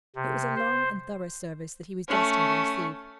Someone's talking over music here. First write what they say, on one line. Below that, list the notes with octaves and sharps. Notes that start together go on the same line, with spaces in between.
It was a long and thorough service that he was destined to receive.
C3
C5
A3 C#4